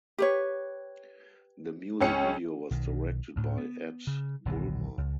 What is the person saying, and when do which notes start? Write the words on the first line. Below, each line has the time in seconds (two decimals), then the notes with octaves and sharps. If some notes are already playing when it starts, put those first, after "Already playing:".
The music video was directed by Ed Bulmer.
0.18 G4 B4 C#5
2.01 C#2 C#4 C#7
2.71 B1 D#3
3.36 D2 A2
3.58 B3
4.07 C#3
4.45 D#1 B1 B2 D3
4.98 C#2